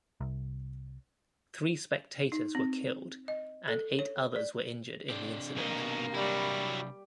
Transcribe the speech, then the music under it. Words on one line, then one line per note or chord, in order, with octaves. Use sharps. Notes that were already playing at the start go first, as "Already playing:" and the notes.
Three spectators were killed and eight others were injured in the incident.
C2
D#4
C4
D#5
A4
C#5
D5
C3 D4
B2 A#3 D#4
F#3 G3 E4